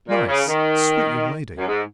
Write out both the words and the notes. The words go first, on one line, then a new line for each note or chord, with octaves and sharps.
"Nice, sweet young lady."
A#2
C#3
D#3
F#2
G#2